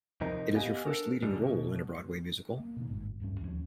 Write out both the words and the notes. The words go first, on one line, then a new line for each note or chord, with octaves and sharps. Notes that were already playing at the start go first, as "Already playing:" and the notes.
It is her first leading role in a Broadway musical.
F2 C3 D#4 A#4
B3 G4 D#5 F5 G#5
D4 A4 A#4
G#2 D3 G3
B2
A#3
B2 D#3
G1 G#2
D1 G2 A#3 C#4
D#2 F3 A3 C#4